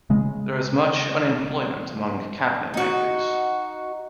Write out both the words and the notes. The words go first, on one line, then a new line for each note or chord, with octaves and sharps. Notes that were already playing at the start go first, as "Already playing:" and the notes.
There is much unemployment among cabinetmakers.
C#3 G#3
D#4 F#4